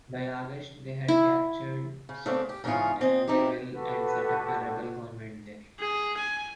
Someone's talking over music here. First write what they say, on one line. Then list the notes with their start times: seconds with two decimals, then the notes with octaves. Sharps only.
By August they had captured Stanleyville and set up a rebel government there.
1.08 E4
2.09 C#3
2.26 C#3 A3 B3 C4 D4
2.49 G4
2.64 G#2 C#3 E3 B3 C#4 F4
3.01 C4 D#5
3.28 C4 D#4 E4 G4
3.72 F#4 G4 A4 B4
5.80 G#4
6.17 G#5